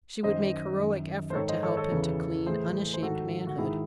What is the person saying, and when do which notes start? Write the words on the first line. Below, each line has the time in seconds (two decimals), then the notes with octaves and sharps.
She would make heroic effort to help him to clean, unashamed manhood.
0.23 F#2 D#3 C5 D#5
0.79 F#2 D#3
1.30 C5
1.35 G#2 D#3 A4 C#5
1.49 C5 D#5
1.63 A4 C#5
1.77 A4 C#5
1.91 E2 C#3 E3
2.46 A2 E3 G#4 C5
2.94 C5
3.02 G#2 D#3 F#4 A4
3.47 F#4
3.58 G#2 D#3 E4 G#4